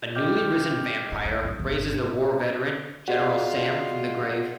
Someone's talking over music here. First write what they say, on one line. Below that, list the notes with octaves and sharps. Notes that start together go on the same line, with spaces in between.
A newly risen vampire raises the war veteran General Sam from the grave.
D#5 G5 D6 F6 G6
C4
D3
G1
F4 F#4 G#4 D5 D#5 F#5